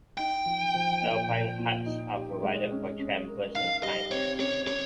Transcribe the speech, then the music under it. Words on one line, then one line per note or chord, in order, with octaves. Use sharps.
Alpine huts are provided for trampers and climbers.
D#4 G5
F3
F3
A#2
A#2
A#2
D#4
G4
G#3
C#4
C#4
A#4
D#4 F5
G3 D#5
C4 C#5
C#4 C#5
C#4 C#5